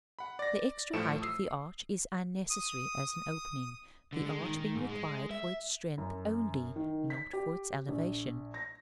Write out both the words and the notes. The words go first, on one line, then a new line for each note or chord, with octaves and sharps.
The extra height of the arch is unnecessary as an opening, the arch being required for its strength only, not for its elevation.
F#5 B5
D5 A#6
A2 F3 A3 C#7 D7 E7
D#6 E6 C7
D#6
D3
G#3
D#3
D#3
G#2
G#3
E5
F#2
D#3
B6
G4
A#1
A#6